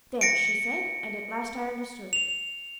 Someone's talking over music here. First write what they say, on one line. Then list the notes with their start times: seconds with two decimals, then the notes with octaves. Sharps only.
"There!" she said--and at last I understood.
0.21 A#6 C#7 D7
2.13 F7